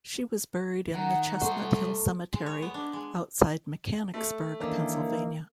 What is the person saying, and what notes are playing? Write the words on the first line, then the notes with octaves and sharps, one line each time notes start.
She was buried in the Chestnut Hill Cemetery outside Mechanicsburg, Pennsylvania.
D#3 F#5 A#5
G3 A3 C5
G#3
C#5
B3
D4
G#3
A3
D#3 E3 A#3 C#4 D4